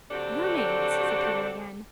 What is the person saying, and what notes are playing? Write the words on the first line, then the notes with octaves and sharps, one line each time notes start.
"Mermaids!" said Peter again.
D3 F#3 C4 D4 G4 A4